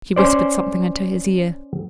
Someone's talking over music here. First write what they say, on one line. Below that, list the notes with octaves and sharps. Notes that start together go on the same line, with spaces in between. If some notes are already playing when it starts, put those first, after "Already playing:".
'She whispered something into his ear.
C#4 C5 D5